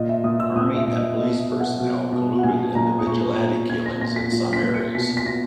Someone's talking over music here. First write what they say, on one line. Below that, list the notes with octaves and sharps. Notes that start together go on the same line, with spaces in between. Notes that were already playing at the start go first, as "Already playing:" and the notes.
Army and police personnel colluded in the vigilante killings in some areas.
Already playing: A#2 D#5
E5
A#2 D#6
E6
A#2 D#6
E5
A#2
D#5
B2 D#5
E5
B2
F#5
B2
B2
F#5
A#2 G#5
A#2 A#5
D#6
A#2 C#6
A#2
A#2 G#6
A#6
A#2 A#6
B6
A#2
B6
A#2
C#7
B2 B6
B6
B2 A#6